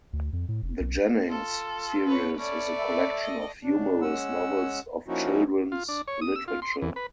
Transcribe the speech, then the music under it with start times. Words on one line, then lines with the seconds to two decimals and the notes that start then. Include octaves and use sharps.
The "Jennings" series is a collection of humorous novels of children's literature.
0.13 D2
0.33 F2
0.48 A2
0.62 F1
0.80 B1
1.30 F4 A4
2.07 B4 C#5
2.38 A3 C#4 B4 D5
2.79 E5
3.22 D#5
3.63 C#3 D4
4.02 G#3 C#4 F#5 E6
5.08 F3 A#3 C#4 D#4 E4 F#4
5.72 F4
5.88 D4
6.08 C#5
6.21 D#6
6.36 E6
6.48 F4
6.62 C6
6.82 E2
6.96 B4